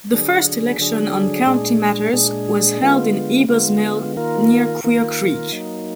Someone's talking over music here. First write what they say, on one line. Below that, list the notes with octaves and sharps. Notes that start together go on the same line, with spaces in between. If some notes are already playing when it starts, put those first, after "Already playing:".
The first election on county matters was held in Eby's mill near Queer Creek.
D3 F#3 D4 G#4
D3 F#3 D4 G#4
A#2 G#3 D4 G#4
A#2 G#3 D4 G#4
D3 G#3 B3 F4
D3 G#3 B3 F4
D#3 A#3 F4 A#4
D#3 A#3 F4 A#4
F#3 A#3 D#4